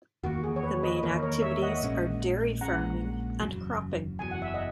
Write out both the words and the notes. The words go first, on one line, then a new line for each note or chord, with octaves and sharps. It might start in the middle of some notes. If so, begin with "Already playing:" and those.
The main activities are dairy farming and cropping.
E2 D#3 A#3 F#4
G#4
C#5
B4
B4 D#5
E2 D#3 A#3 A#4 C#5
A#4 C#5
C#5 E5
D#5 F#5
A#1 A#2 G#3 C#4
A#1 A#2 G#3 C#4 F#5 A#5
F#1 E2 C#3 F#3
F#1 E2 C#3 F#3 G#5
F#5
E5
D#5 F#5